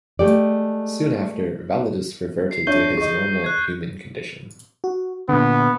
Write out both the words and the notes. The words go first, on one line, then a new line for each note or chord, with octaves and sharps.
Soon after, Validus reverted to his normal, human condition.
G#3 A3 G4 D5
C7
D4 C#5 E5 C#6 G6 G7
G#4 D#5 C#6
F#6 G#6
F#4
A#2 D3 B3